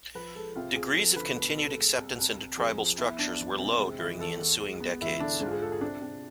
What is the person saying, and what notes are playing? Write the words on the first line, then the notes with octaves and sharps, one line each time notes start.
Degrees of continued acceptance into tribal structures were low during the ensuing decades.
F3 B4
G#3 A4
C3 F4
C3 G#4
F3 A4
D3 B4
B2 B4
B2 A4
G#3
C2
C2
C2
F2 G#4
F3
B3 E4
B3 D4
F2
C3
G#3
E3
E2 A4
E2
G#3
B3
E2 E4
D3 D4
G#2 D4
F4
G#4
G#3 A4
G#4
C3 D4
C3